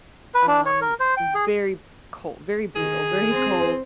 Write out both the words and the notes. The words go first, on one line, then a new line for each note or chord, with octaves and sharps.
um, very cold, very brutal, very cold
B4
D4
C#5
A#4
C5
G5
G#4
D#3 G#4
C4 C5